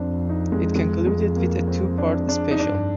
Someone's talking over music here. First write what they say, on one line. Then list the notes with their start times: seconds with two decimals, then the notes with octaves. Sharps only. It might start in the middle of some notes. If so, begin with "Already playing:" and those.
It concluded with a two-part special.
Already playing: F2 C4 D4
0.29 D#4
0.52 G#3
0.75 G#3
1.06 G#3
1.36 A#3
1.68 C4
1.98 D4
2.29 D4
2.51 D#4
2.59 G2 D4